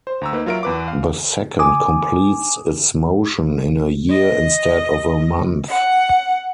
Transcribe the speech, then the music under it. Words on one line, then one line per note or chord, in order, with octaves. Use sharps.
The second completes its motion in a year instead of a month.
C5
D2 A#5 E6
A#3 D#4 B4
F#3 F4 A#4 E5 D7
E2 B4 D6
F5
G#5 D6 D#6
D#5
F#5